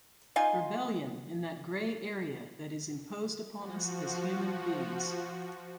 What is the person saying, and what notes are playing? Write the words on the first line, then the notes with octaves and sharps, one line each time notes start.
Rebellion in that grey area that is imposed upon us as human beings.
D#4 F4 G#5 C6
F3 F#4